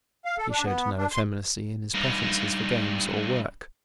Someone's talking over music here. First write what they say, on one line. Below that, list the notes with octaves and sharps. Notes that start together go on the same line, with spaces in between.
He showed no effeminacy in his preferences for games or work.
F5
A4
D4
B3
D4
C6
G2 D#4